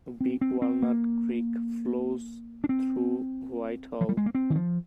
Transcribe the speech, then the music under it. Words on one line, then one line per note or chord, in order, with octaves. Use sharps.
Big Walnut Creek flows through Whitehall.
C4
C4
C4
A#3
D4
C4
F3
G3
G#3
A#3
C4
D#3
F3